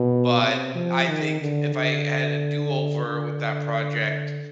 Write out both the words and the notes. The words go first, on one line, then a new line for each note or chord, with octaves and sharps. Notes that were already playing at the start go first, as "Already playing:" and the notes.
but, eh, I think, if I had a do-over with that project,
Already playing: B2
C3
F3
D#3
D3
D3
D3